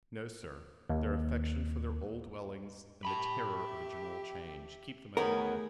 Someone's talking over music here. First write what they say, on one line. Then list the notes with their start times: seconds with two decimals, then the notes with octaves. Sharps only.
No, Sir; their affection for their old dwellings, and the terrour of a general change, keep them at home.
0.90 D#2
3.05 G4 E5 A5 B5
5.17 D#3 A3 B3 G#4 A#4 C#5